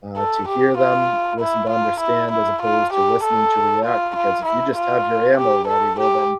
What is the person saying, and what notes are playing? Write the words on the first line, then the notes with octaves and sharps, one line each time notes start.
uh, to hear them, listen to understand, as opposed to, listening to react, because if you just have your ammo ready, well then,
A4
G4
F4
E4
F4
E4
E4
F4
G4
A4
F4
F4
E4
F4
G4
A4
G4